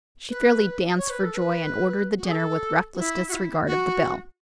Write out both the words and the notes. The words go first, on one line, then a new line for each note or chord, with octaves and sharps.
She fairly danced for joy, and ordered the dinner with reckless disregard of the bill.
B4
C#5
B4
A4
B4
F#4
G#4
A4
F#4
E4
F#4
E4
F#4